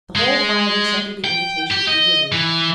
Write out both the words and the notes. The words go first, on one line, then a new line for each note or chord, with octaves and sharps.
The whole five accepted the invitation eagerly.
G#3
G5
G4
D#5
E3